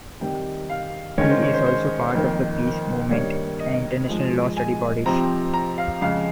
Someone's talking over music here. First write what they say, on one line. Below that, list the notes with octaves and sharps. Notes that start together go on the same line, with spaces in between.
He is also part of the peace movement and international law study bodies.
C3 D#3 G3 G5
F5
D#3 G#3 C#4 C#5
C5
C#5
C5
C5
F2 D#3 A#3
G2 D#3 G3 A#3 D#4 C#5
D#5
G#2 F3 G#3
G#5
C3 F3 C4 A#5
A#5
F5
F2 C#3 G#3 F5